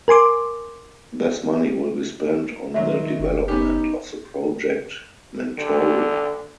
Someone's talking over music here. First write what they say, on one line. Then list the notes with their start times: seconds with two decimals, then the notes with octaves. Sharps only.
This money will be spent on the development of the project "Mentoring".
0.08 A#4 G#5 C6 D6
2.74 A#2 D#3 F#3 E5
3.19 F#1
3.48 B3 C#4 D#4 G4
5.58 D3